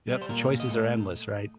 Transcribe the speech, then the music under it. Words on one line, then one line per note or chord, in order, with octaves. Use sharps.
Yep. The choices are endless, right?
G3
C5
A#2 A#4
A#2
D#5
A3